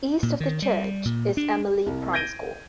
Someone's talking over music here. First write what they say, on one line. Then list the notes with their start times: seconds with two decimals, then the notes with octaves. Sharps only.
East of the church is Almeley Primary School.
0.23 A#2
0.40 D#3
0.62 G3
1.05 A#2
1.37 D4
1.86 C2
2.13 G6 G#6 A#6 D7 D#7 G7